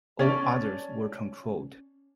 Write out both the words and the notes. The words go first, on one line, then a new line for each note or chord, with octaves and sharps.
All others were controlled.
C#4 D5 A5